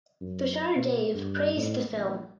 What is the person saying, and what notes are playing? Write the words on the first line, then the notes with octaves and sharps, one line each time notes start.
Tushar Dave praised the film.
F#2
B2
G2
A2
A#1